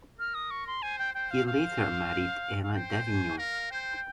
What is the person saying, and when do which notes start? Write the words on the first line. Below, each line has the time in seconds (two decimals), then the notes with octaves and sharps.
He later married Emma Davignon.
0.19 A#4 F6
0.35 D#6
0.51 C#6
0.67 C6
0.82 C5 G#5
0.99 G5
1.15 C5 G5
1.31 F5
1.47 C5 F5
2.63 F5
2.74 C5 G5
3.07 G#5
3.38 A#4 F5
3.70 C5 G5